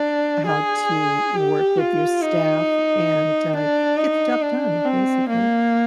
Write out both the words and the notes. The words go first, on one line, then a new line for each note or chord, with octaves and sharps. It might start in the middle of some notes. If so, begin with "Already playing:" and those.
how to work with your staff, and, uh, get the job done, basically.
Already playing: D4
G#4
G4
F4
D#4
D4
D#4
D4
C4
A#3